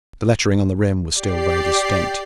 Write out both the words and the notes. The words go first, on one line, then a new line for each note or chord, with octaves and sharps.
The lettering on the rim was still very distinct.
G4 D5 C7